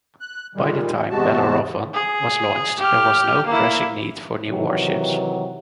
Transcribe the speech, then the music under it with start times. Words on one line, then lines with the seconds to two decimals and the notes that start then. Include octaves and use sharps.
By the time "Bellerophon" was launched, there was no pressing need for new warships.
0.20 F#6
0.55 A#2 D#3 G3 G#3
1.10 E2 C3 G#3 F#4 A5
1.94 G#4
2.79 G4 F6
3.46 A#3 E4
4.48 C3 D#3 E3 F#3 D#4